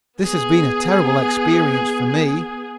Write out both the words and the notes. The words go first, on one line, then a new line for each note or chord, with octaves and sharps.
"This has been a terrible experience for me."
B3 G#4